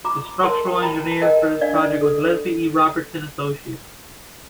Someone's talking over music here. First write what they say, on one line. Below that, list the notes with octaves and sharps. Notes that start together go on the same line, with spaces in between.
The structural engineer for this project was Leslie E. Robertson Associates.
F4 A#5 D6
A#4 A5 C6
G5
A5
F4 G5 A#5
A5
A#4 D#5 G5
D4 D5 F5
A4